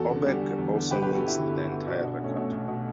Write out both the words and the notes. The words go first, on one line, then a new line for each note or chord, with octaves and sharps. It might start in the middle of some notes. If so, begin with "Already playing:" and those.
Oberg also mixed the entire record.
Already playing: E2 F#4 A4
D3
G3
D3
E2
D3
G1 G4 B4
G4 B4
G1
F#4 A4
D3 E4 G4
G1
G1
D3
B1 D4 F#4
D4 F#4
B2
B1 A3 C#4
B2 A3
B1
B2